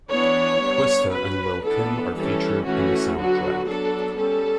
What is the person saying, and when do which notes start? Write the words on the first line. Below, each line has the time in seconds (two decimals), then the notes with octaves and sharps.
Twista and Lil' Kim are featured in the soundtrack.
0.10 E3 B3 D4 C#5
0.61 G3 B3 D4
1.12 F#3 C#4 B4
1.63 E3 B3 D4 A4
2.14 E3 G3 C#4 A4
2.65 E3 A3 C#4 F#4
3.17 D3 F#3 B3 F#4
3.67 F#3 B3 D4 A4
4.18 G3 C#4 A4